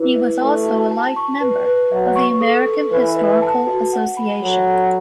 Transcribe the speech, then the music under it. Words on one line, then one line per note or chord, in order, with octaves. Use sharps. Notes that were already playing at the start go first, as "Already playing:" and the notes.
He was also a life member of the American Historical Association.
Already playing: E4 B4
E5
A3 A5
F#4
A5
C#6
B4
B4
F#3 E5
C#6
A4
A4
E3 B4
E5
A5
F#4
F#5
B5
F#3 A4
A4